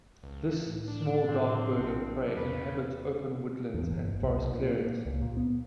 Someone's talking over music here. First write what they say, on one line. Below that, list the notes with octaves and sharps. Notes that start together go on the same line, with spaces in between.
This small dark bird of prey inhabits open woodlands and forest clearings.
C#2
A2
D4
A2 C#3 F3 C4
A#1 F#3
E2 C#3 B4
E2
G1
C2
B1
A#2
A#3
C#2
A#2
B3